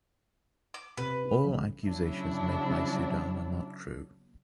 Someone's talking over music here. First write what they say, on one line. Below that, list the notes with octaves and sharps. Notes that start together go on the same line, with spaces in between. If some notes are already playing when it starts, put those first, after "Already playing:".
All accusations made by Sudan are not true.
D6
C3 B4
B1 C#3
C#3 F#3 D4 E4